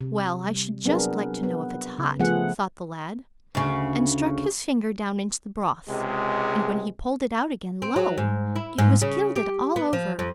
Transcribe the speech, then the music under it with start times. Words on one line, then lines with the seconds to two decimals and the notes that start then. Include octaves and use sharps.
"Well, I should just like to know if it's hot," thought the lad, and struck his finger down into the broth, and when he pulled it out again, lo! it was gilded all over.
0.01 C3
0.44 G3
0.85 F#3 B3 C4 D4 G#4 A#4
1.43 B3
1.98 C#3
2.20 F3 A3 B3 F4 G#4 F#5
3.55 D2 C#3
5.89 C#2 C3 G#3
7.82 C4
7.96 F#3
8.18 G#2
8.56 E4
8.78 G#2
9.02 C#3
9.36 G4
9.76 B3
9.93 F3
10.19 F2